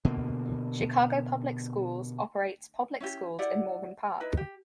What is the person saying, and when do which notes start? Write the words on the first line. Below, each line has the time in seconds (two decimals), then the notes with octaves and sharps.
Chicago Public Schools operates public schools in Morgan Park.
0.05 B2 D3 A#3
3.00 C#4 E4 G4
3.39 E4 G4 D5 F#5
4.21 D#4 E4 B4
4.37 G4